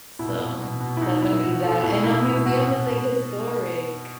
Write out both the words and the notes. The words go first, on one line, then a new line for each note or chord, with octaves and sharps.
So definitely that and a museum is like historic,
B2 E4
B2
B2
B2
E4
B2 D#4
B2 E4
B2 F#4
B2 A4
B2 E4
B2 E4
B2 E4
B2 F#4
B2
B2